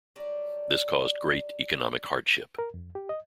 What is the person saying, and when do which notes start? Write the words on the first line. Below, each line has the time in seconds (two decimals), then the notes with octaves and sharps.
This caused great economic hardship.
0.16 F#3 G3 D4 D5
2.59 A#4
2.74 F2
2.95 G4
3.09 D#5